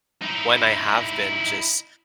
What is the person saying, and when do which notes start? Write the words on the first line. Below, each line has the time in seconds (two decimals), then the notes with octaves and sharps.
when I have been just
0.22 D#4 E4